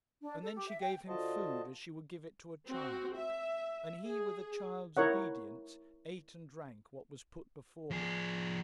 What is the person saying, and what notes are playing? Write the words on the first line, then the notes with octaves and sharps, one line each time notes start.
And then she gave him food as she would give it to a child, and he with a child's obedience ate and drank what was put before him.
D4
A4
G4
E5
G5
D3 F4 F#4 C5 D#5 A5
C4 F#4
E5
G#4
E4 A#4 C#5 F#5
F3 G#4